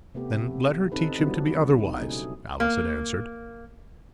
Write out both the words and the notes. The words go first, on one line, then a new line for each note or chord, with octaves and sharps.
"Then let her teach him to be otherwise," Alice had answered.
C3 A3 B3 G4
C3
C4 D#4 A4 B4
F#3 G3 B3 C4 D4 E4
B2 D3 D#4
C#3 A3 C#4 G#4
A#3